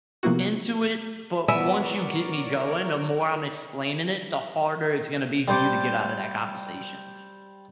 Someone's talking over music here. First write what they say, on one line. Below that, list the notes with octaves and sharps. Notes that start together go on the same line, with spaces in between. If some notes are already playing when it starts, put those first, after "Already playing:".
into it, but once you get me going, the more I'm explaining it, the harder it's gonna be for you to get out of that conversation,
C3 F3 A#3 B3 E4 F#4
B3 A#4 C#5 D5 E5 G#5 B5
G3 C5 D5